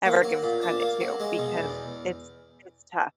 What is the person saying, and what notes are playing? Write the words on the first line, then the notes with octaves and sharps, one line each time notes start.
ever gives credit to, because it's it's tough.
A#3
F#3
A#2
D4
A#3
F#3
G#3
B2
E2